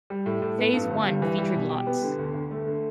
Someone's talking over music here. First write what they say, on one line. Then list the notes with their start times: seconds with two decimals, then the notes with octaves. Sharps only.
Phase one featured lots.
0.10 G3
0.26 A2
0.42 A2
0.59 B3
0.74 G2
0.90 G1
1.06 G3
1.22 E3
1.38 G3
1.54 B2
1.70 G4
1.87 B3
2.02 D3
2.19 D2
2.34 D2
2.51 A3
2.67 D3